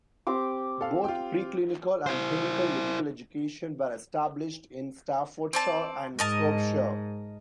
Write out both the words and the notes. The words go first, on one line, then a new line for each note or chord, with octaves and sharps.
Both pre-clinical and clinical medical education were established in Staffordshire and Shropshire.
C4 G4 D6
A4 F5
F4 G5
E4 C5
C4 D5 A5
G#2 A#4 D#5 A5